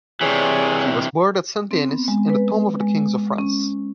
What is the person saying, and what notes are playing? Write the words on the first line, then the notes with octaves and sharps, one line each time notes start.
He was buried at Saint-Denis in the tomb of the Kings of France.
C3 E3 G#4 C#5 D5
C4
B3
G#3
B4
G#3
C#4